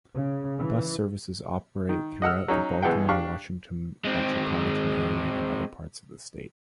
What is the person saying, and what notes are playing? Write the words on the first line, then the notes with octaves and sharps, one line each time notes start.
Bus services operate throughout the Baltimore-Washington Metropolitan Area and other parts of the state.
C#3
E3
D#3
D#5 F#5 E6 F6
F#3 C#4 D#4
B1 B2 E3 G#3 F#5 G5
D4 G4 F5 C#6
G#3 C4